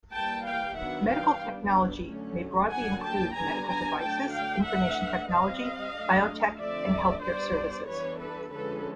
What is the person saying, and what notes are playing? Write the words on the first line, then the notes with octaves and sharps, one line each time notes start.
Medical technology may broadly include medical devices, information technology, biotech, and healthcare services.
E3 G3 A#3 G5 A5
F5 G5
D#3 F#3 B3 D4 E5 F#5
F5 G5
G3 B3 D4
D3 F#3 A3 C#4
D3 F#3 A#3 D4 F#5 G#5
G5 A5
D3 G3 B3 D4 G#5 A#5
G#5 A#5
D3 F#3 A3 D4 G5 A5
F5 G5
E3 A3 D4 E5 F#5
G3 C4 D#5 F5
F#3 A3 D4
D3 F3 A3 C4 D5 E5
G3 B3 D4 C5 D5
E3 G3 B3 D4 B4 C#5
A4 B4
D3 F3 G#3 C#4 A4 B4